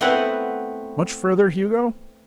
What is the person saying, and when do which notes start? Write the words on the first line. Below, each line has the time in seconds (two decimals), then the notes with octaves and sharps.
"Much further, Hugo?"
0.01 A3 B3 C4 E4 B4 F#5